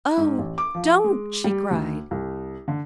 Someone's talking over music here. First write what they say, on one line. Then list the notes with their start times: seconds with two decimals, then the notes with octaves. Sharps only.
"Oh, don't!" she cried.
0.17 G#2
0.38 A1
0.58 D6
0.75 F3
1.04 G#3
1.44 G3
1.71 D2
2.11 C2
2.68 D3